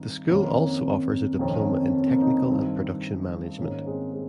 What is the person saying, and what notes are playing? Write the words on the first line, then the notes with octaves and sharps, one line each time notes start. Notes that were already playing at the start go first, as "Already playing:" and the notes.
The School also offers a Diploma in Technical and Production Management.
Already playing: G2 D#3 C4 D#4
F2 D#3 A#3 C#4
F2 D#3 A#3 C#4
C#4
C4
A#3 C#4
C4 D#4
G2 D#3 C4 D#4
G#2 D#3 A#3 C#4
G#3 C4
G#3